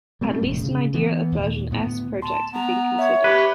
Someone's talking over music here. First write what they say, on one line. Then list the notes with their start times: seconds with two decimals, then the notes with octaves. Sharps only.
At least an idea of version "S" project had been considered.
0.21 G3 A3 C4 C#4
0.42 E1 A2
0.62 C#3
0.94 E3 B3
1.32 D#2 A#2
1.70 D2 A2 B3
2.22 A5 C6
2.53 B3 A#5
2.99 C#5 E5
3.24 G4 B4